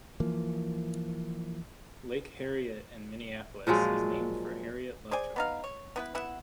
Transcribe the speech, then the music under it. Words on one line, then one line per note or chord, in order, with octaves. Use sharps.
Lake Harriet in Minneapolis is named for Harriet Lovejoy.
E3 F3 A#3
A#2 F3 F#3 G#3
G#4 C5 D5 G#5
B3 D#4 F5
C#5
B3 E4 B4
B3 E4 E5 F#5